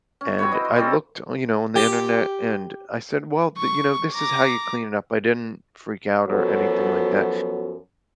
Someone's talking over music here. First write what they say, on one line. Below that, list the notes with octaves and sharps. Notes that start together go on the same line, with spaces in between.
and I looked on you know, on the Internet, and I said, "Well, the" you know, "this is how you clean it up." I didn't freak out or anything like that,
C#4
C4 F#4 B4 C#5
E4 B4 D#5
C6
G3 C4 C#4 A4
G4
C#6
A#5 D6
F#2 F3 F#3 B3 A4